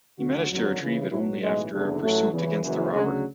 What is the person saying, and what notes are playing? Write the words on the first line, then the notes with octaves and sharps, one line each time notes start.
He managed to retrieve it only after a pursuit against the robber.
D2 D3 F#3 F#4
G#1 F#2 D3 F#3
C#2 C#3 E3
B1 A2 F#3 E4
B1 A2 E3 G#3
F#1 E2 D3
A1 A2 F#3 A3
E2 C#3 E3
F#1 F#2 E3
D2 C#3 F#3 G#3